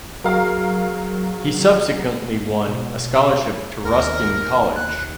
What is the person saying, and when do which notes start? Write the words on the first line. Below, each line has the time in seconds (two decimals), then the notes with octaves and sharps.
He subsequently won a scholarship to Ruskin College.
0.24 F#3 F#4 G#4 A#4 F5
2.67 B2
3.83 D#2 A#4
4.76 F#6